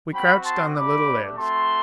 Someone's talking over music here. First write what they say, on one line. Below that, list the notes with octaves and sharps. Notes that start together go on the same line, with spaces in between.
We crouched on the little ledge.
C4 F#4 G5 B5
A5 C6
A3 D4 G4 B5 D6
A3 C4 F#4 A5 C6